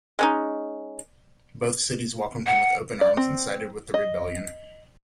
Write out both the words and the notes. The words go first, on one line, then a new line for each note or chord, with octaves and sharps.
Both cities welcomed him with open arms and sided with the rebellion.
G#3 C#4 D#4
F#5
D5
C4
D#5